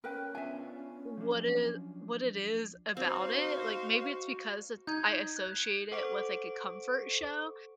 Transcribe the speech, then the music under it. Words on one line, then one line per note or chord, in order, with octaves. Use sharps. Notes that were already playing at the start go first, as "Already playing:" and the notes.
what it what it is about it, like, maybe it's because it I associate it with, like, a comfort show
C#4 A#4 B4 G5
B3 D4 F4 E5 G#5
F3 F#3 D4
C4 D#4 F#4 C5 F5
D#4 G6 G#6
F#6
A4 C5 F#5 C#6 D6 D7